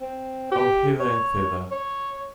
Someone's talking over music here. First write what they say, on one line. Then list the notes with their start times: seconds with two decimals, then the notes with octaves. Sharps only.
Oh, hither and thither.
0.01 C4
0.51 G4
1.00 C#5
1.71 C#5